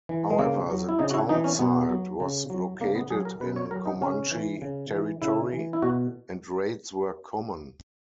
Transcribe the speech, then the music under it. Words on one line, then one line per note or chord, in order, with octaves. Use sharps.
However the townsite was located in Comanche territory and raids were common.
E3
G#3
C#3 A#3
F#3
E4
C#3 D#4
F#4
E4
E3 D#4
C#4
B2 B3
F#3
C#3
F#3
C#3 A#3
B3
F#3 G#4
A#4
B2 B4
C#5
F#3 A#4
D#4
C#3 C#4
E3
C#3
E3
C#3 E4
E3
E4
B2 F#4